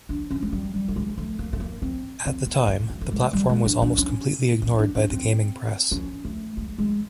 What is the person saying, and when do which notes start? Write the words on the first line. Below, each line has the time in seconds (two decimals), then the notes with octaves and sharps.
At the time, the platform was almost completely ignored by the gaming press.
0.09 D4
0.31 C#4
0.42 G#3
0.52 G3
0.74 G3
0.88 A3
0.96 G#3
1.18 A3
1.39 A#3
1.53 A3
1.60 A#3
1.82 C4
2.26 C4
2.46 B3
2.68 A#3
2.90 A3
3.01 A3
3.12 G#3
3.33 G3
3.49 G#3
3.65 D4
3.82 D4
3.98 C#4
4.62 C#4
4.79 D4
4.95 C#4
5.11 C4
5.92 C#4
6.25 A3
6.57 G#3
6.78 G#3